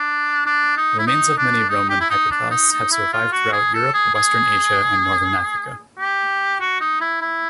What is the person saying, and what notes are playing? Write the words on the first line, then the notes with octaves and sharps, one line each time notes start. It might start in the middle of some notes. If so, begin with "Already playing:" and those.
Remains of many Roman hypocausts have survived throughout Europe, western Asia, and northern Africa.
Already playing: D4
D4
D#4
E4
D#4
D4
D#4
G4
E4
D#4
D4
D#4
D#4
E4
F4
F#4
G#4
A4
G#4
G#4
G4
F#4
D#4
E4
E4